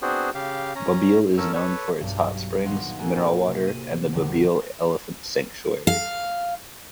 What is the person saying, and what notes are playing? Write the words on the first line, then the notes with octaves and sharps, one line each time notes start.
Babille is known for its hot springs, mineral water and the Babille Elephant Sanctuary.
B3 C4 D4 F#4 G#4 C5
C#3 G4 F5
C#4 A#5
F#2 C#4 A4 A#4 E6
A4 B4 C#5
B1 G2
D#1 D#5 F5 F#5 C6
A#3 F#4 G#4 A4 G5
C3
D#7
A#1 E2 D3 E3 G3
F5